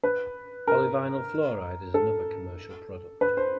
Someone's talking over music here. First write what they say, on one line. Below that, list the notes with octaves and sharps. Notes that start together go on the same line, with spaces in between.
Polyvinyl fluoride is another commercial product.
B4
A#4
A4
B4
C5